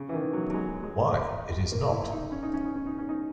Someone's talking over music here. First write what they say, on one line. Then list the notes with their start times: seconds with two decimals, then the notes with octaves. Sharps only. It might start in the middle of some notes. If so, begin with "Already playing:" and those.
Why, it is not!
Already playing: C#3
0.09 E3
0.14 D#3
0.33 F#3
0.50 F#3
0.54 G#3
0.83 G#3
1.72 A#3
1.92 E4
2.12 D#4
2.32 C#4
2.43 D#4
2.54 C#4
2.65 D#4
2.76 C#4
2.86 D#4
2.98 C#4
3.09 D#4